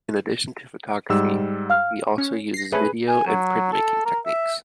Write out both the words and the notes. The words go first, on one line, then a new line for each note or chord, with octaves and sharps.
In addition to photography, he also uses video, and printmaking techniques.
G#2 G3 E6
F5 F6
C#4
A#6 C7
A3 C#4 G#4 B4
G#5
F#3
A4
A#4
E5